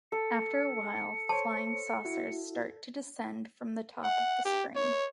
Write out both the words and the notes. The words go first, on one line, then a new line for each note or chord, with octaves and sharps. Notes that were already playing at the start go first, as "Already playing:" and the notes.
After a while, flying saucers start to descend from the top of the screen.
A4 C#7
C5 C#5 A5
E4 F#4
F#5
G4
C#5